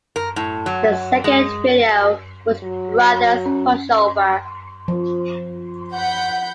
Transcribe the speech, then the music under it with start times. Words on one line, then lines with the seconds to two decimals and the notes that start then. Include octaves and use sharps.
Their Second Video was "Brothers Push Over".
0.16 A#4
0.36 A2
0.66 F#3
1.24 G#3
2.64 F#3
3.46 C#4
4.88 F3
5.93 F#5 B5 G6